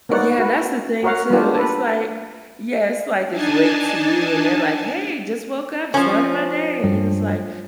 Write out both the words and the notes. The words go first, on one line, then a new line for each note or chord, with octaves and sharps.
Yeah, that's the thing too. It's like yeah, it's like it's late to you and they're like, "Hey, just woke up, started my day," and you're just like,
A#3 B3 D#4 C#5 D5 F#5
F#4 B4
F#4 A#4 C#5 F5 F#5
G3 A#3 B3 D4 F4 G4
A4 B4
D4 D#4 G#5 A5
F3 C#4
G2